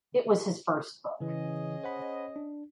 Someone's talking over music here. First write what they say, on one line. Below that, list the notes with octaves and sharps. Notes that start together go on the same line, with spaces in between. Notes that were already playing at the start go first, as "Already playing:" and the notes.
It was his first book.
C#3 E3 C#4 G#4 D#5
C5 F#5 B5
D4